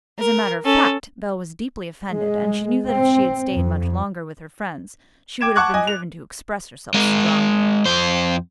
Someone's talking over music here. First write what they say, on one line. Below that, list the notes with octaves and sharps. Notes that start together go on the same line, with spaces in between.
As a matter of fact Belle was deeply offended, and she knew that if she had stayed much longer with her friends she would have been driven to express herself strongly.
A#4
C#4 A4
G#3
C4
F2
G5 D6 G#6 D7 E7
F#5 A5 C#6 D6 F#6 G#6
D#5 G#5
F7
G#3 A#4
F2 C5